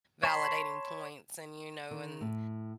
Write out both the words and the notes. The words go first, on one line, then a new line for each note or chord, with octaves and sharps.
validating points, and, you know, and
C#5 A5 B5 C6
D#3
A2